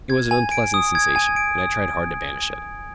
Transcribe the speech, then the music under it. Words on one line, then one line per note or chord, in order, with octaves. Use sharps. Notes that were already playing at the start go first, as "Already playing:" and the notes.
It was an unpleasant sensation, and I tried hard to banish it.
G#6
G#5
D7
D#6
G#6
G#5
D7
D#6